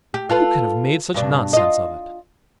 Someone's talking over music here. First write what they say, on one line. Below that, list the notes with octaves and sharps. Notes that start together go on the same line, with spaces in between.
"Who can have made such nonsense of it?"
G4
F4 A4 B4
G2 B2 D4
F4 D#5